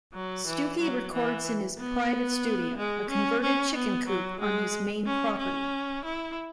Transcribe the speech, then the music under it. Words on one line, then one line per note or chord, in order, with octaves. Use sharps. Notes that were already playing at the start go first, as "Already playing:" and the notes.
Stookey records in his private studio-a converted chicken coop-on his Maine property.
F#3
E3
F#3
E3
B3
G#3
C#4
C#4
B3
F#3
G#3
C#4
C#4
E4